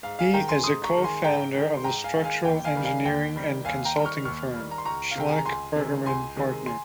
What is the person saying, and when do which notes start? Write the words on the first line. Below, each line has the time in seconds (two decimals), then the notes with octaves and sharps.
He is a co-founder of the structural engineering and consulting firm schlaich bergermann partner.
0.03 G#2 F5
0.19 F5 G#5
0.34 D#3 G#3 G5 A#5
0.48 G#5 C6
0.64 G#2 C6 D#6
0.84 A#5 C#6
0.95 D#3 G#3
1.04 G#5 C6
1.24 G#2 G5 A#5
1.55 D#3 G#3
1.77 C6
1.84 G#2 G5 A#5
2.04 F5 G#5
2.14 D#3 G#3
2.24 F5 G#5
2.45 D#2 G5
2.64 F5 G#5
2.75 D#3 G3
2.85 F5 G#5
3.05 D#2 G5
3.36 D#3 G3
3.65 D#2 F5 G#5
3.85 G5 A#5
3.96 D#3 G3
4.05 C#6 F6
4.25 D#2 C#6 F6
4.56 D#3 G3
4.71 A#5
4.78 C6
4.85 C#2 A#5 C#6
5.11 F5
5.16 C3 D#3 G#3 G5
5.29 G#5
5.38 A#5
5.45 C#2 G#5 C6
5.76 C3 D#3 G#3
6.06 C#2 G#5 C6
6.36 C3 D#3 G#3
6.66 G#5 C6